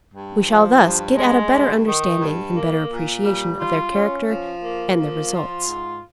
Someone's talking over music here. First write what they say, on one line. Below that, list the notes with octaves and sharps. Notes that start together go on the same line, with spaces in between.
We shall thus get at a better understanding and better appreciation of their character and their results.
G2
F3
G2
G#3
G2
D#3
G2
A#3
A#2
G3
F4
C#4
F3
A#3
F3
F4
G#2